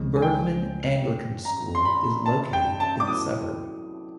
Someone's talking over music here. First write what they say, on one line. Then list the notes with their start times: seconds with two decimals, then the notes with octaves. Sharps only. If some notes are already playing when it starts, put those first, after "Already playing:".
Burgmann Anglican School is located in the suburb.
Already playing: C#2 C#3 F3 G#3
0.17 G#5
0.22 G5
1.45 A#5
1.75 C6
1.85 B5
2.26 A5
2.53 G5
2.80 A5
3.00 D6
3.07 F#3 B3 E4 A4 D#6